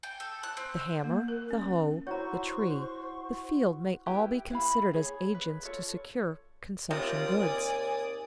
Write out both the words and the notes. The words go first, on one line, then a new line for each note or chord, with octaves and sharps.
The hammer, the hoe, the tree, the field may all be considered as agents to secure consumption goods.
G5
A4
F#6
C4
A#3
A#4
C#4
E4 F#4 C5 C#5 A#5 C6 C#6
E4 G4 B4 G5
E4 B4 F5 B5
G#4 C#5
B4
F4 A4 C#5
D#2 C3 F4 D5 D#6
G#5